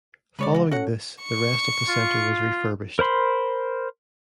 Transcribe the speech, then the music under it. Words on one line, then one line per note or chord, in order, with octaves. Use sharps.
Following this the rest of the centre was refurbished.
C#3 G#3 B4 C#5 D5
E3 F#4
C#4 F#4 A4 C#5 F#5
C#6
F4
A#4 C5 B5 C6